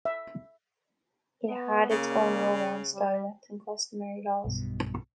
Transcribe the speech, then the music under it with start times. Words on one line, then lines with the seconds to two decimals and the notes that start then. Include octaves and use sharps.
It had its own Romance dialect and customary laws.
0.05 E5
1.48 B3
1.91 C#3 A#3
2.94 G3
4.44 B1 G2 B2